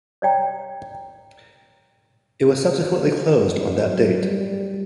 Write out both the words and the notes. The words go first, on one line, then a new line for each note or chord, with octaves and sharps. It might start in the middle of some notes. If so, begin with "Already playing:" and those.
It was subsequently closed on that date.
C#5 D5 G5 A#5
F2
F#3
G3